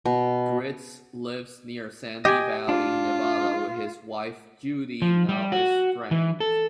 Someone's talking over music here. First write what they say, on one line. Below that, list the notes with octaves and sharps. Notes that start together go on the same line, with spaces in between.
Gritz lives near Sandy Valley, Nevada, with his wife Judy, now estranged.
B2
G4 D#5 G5 G#5
D4 F4
F3
G3
F#4
E3
A4